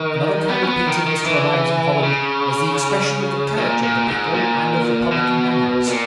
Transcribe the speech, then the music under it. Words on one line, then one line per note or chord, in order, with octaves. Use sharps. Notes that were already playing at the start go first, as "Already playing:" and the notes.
Another kind of painting was to arise in Holland, as the expression of the character of the people and of republican manners.
Already playing: D#3
B3
C#4
B3
D#3
D#3
E3
C#3
A#2
A#2
G#2
A#2
B2
A#2